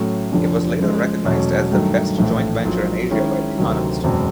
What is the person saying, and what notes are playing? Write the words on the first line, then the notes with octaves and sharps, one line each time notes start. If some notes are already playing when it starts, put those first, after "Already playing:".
It was later recognized as the best joint venture in Asia by The Economist.
Already playing: A2 F#3 A3 C#4
F1 F2 D3 F3
C#3 F3 G#3
E2 B2 F#3 A3 C#4
G2 D#3 F#3 A3
A#1 A2 E3 A3
A#1 A#2 F#3
D#3 G#3 C#4 E4
D2 C3 D#3 F#3
F#1 E2 B2 G#3 C4